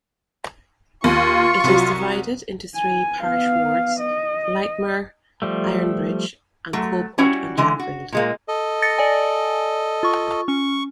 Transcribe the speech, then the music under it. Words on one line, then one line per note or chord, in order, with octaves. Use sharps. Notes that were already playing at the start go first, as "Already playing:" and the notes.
It is divided into three parish wards: Lightmoor, Ironbridge, and Coalport and Jackfield.
D#2 F4 C#6
C2 F#3
G#5
B3 F5
D#5
F3 G3 A3
F#3 A3
G3 C#4 E4 F#4
D3 E3 G#3
F#4
A#2 G#3 A#3
A4 D#5
A6 A#6 C#7
D5 G#5
F4 C#6
C#4 C#6